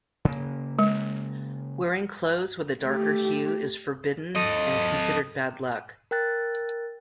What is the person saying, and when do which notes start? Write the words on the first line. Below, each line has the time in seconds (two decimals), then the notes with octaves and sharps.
Wearing clothes with a darker hue is forbidden and considered bad luck.
0.25 C#3 A#3
0.79 G#3
2.84 A3 G4
4.36 A4 D#5
6.11 A#4 G5 F#6 A6